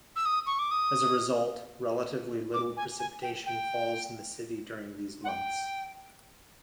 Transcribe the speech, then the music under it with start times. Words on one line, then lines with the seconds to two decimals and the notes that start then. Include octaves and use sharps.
As a result, relatively little precipitation falls in the city during these months.
0.16 E6
0.25 D#6
0.46 C#6
0.59 D6
0.71 D#6
2.54 D6
2.77 G#5
2.99 G#5
3.22 G5
3.46 G5
5.24 F#5
5.28 G5